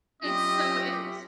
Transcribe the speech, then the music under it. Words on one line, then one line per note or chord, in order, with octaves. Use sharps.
It so is.
F#3 C#4 F4 G4 D#5 E5